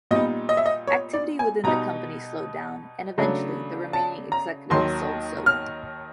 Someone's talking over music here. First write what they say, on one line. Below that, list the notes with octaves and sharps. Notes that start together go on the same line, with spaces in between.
Activity within the company slowed down, and eventually, the remaining executives sold Soap.
A#2 G3 B3 D#4 D#5
D#5
E5
D#5
C#5
D5
G#5
B2 G3 B3 D#4 A#5
C#3 F#3 A3 D4
A5
A#5
D#2 D#3 F#3 C6
F6